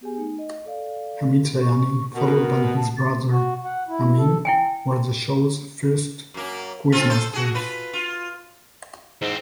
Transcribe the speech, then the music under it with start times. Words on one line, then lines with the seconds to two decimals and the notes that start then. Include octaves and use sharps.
Hamid Sayani, followed by his brother Ameen, were the show's first quizmasters.
0.01 B3 G4 G#4 G#5
0.17 A3 D#4
0.38 D#5
0.66 A4 D5 F5
1.61 C#6
2.14 B2 A#4
2.75 A5
2.96 A6
3.31 F#4
3.64 F#5
3.89 E4
4.17 A4
4.45 E4 G5 G#5
6.34 F#2 A#3
6.92 C4 F4 A4
7.10 A4 C5
7.33 F#4 G#4
7.55 F4 B4
7.93 F4
9.22 E2 G#2 C4